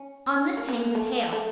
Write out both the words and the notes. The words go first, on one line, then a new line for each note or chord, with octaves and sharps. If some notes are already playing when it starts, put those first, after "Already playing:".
On this hangs a tale.
Already playing: C#4
A#3
B3
A#3
A3
A3